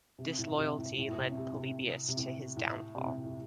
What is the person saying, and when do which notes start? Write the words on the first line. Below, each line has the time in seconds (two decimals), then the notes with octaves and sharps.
Disloyalty led Polybius to his downfall.
0.19 C3
0.38 A2
0.58 C3
0.78 A2
0.97 A2
1.08 A2
1.18 C3
1.38 C3
1.52 A2
1.57 C3
2.08 C3
2.17 A2
2.56 A2
2.95 C3
3.05 A2
3.24 A2